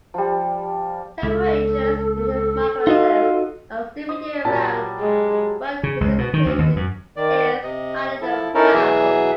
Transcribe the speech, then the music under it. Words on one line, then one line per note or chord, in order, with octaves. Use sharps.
Temperatures in the Marquesas are stable year around, but precipitation is highly variable.
F3 G3
C#2 A4
D#4 F4 F#4 D#5
C5 D#5 D#6
A#2 F#3 G3 A5
G#3
C#3
C#2
B2
D#3
D2
D#2
F#2
D#3 D5
C3 D#5
F3 E4 A4
C#4 D#4 E4 A4 A#4
B2 E3 F#3 G#4 E5